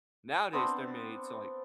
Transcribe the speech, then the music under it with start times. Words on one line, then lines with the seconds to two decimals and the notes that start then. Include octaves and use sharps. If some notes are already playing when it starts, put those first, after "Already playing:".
Nowadays, they're made to, like
0.53 B3 C4 D4 C5